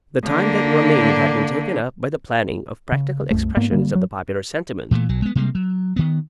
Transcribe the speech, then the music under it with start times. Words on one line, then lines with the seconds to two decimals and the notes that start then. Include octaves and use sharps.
The time that remained had been taken up by the planning of practical expressions of the popular sentiment.
0.25 D3 A#3
2.92 C#3
3.31 C2 F#2 A3
3.57 G#2 A#3 B3
3.71 D3 F#3 G3 A#3
3.95 F#3
4.91 A#2 E3 A3
5.09 B1 F#3
5.22 G#3 B3
5.35 C3 G3 G#3 A#3
5.55 F#3
5.96 D#3 B3